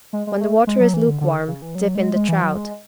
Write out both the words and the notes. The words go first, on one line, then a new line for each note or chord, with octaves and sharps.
When the water is lukewarm, dip in the trout.
G#3
G#3
A3
G#3
F#3
E3
D3
D3
C#3
E3
F#3
G#3
G#3
E3
F#3
G#3